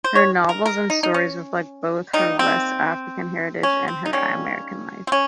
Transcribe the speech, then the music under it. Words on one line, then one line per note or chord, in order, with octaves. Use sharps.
Her novels and stories reflect both her West African heritage and her American life.
C5
D#3 G#3 C#5
A#4
A#4
D#4
D#4
C#4
D#3 G3 A#3 D#4
C4
C#4
C4
D#4
D#3 G3 A#3 C#4
C4
C#4